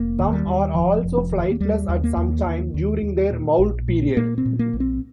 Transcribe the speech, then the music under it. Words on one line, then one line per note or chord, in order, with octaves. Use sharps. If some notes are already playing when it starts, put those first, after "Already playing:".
Some are also flightless at some time during their moult period.
Already playing: F1 A#3
D#2
G3
D#2
F1 F3
F1
D#2
A#3
D#2 G3
D#2
A#3
D#2
D#2
D#2
D#2
A#2
A#1
A#2
A#2 A#3
C4
A#2
A#3
A#1
C4